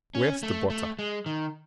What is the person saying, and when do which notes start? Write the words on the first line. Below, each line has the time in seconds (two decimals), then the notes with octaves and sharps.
"Where's the butter?"
0.15 C#4
0.43 A3
0.70 A3
0.99 G#3
1.26 D#3